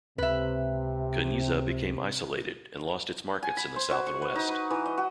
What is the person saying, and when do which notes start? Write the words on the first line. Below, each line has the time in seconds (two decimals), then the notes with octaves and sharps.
Kanizsa became isolated and lost its markets in the south and west.
0.18 C#2 C3 B4 E5
3.43 G#5
3.57 B5
3.76 C5
3.91 F#4
4.07 C#6
4.22 B4
4.35 D#4
4.49 B4
4.70 E3
4.86 D#5
4.98 F#4